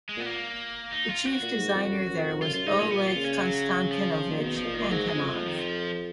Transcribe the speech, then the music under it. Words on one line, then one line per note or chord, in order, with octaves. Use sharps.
The chief designer there was Oleg Konstantinovich Antonov.
G#3
A#2 B3
A#3
D#4
F4
F#4
A#2
G#2
F2
F#2
F#2
F2
F#2 F4
F#2 F4
G#2 D#4
A#2 C#4
A#2 B3
F4
C#3
C#4
F#3
F3
A#2
B2 D#3
F3
A#2
D#3
A#2
G#2 F#3
G#3
F2
F#3
F3
D#3
F3